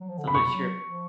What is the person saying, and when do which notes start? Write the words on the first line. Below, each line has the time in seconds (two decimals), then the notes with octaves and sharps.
so I'm not sure
0.01 F#3
0.09 F3
0.18 D3
0.26 C#3 B5
0.34 B2 C#6
0.50 F#3
0.84 F3